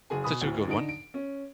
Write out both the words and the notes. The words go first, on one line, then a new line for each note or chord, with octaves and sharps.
That's a good one.
F#1 G#4 G#5
B2 G#5 B5 D#6
D2 A2
D3 D#4 D7
D7
C#4